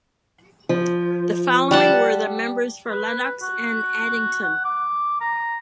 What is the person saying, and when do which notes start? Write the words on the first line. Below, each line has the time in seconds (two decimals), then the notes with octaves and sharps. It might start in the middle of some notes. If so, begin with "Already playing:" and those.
The following were the members for Lennox and Addington.
0.69 F3
1.71 G3 F#5 A5
2.90 B4
3.42 F#4
4.43 F#5
4.65 D6
5.21 A#5